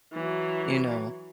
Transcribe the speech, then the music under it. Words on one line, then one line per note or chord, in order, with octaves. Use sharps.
you know,
E3 F#3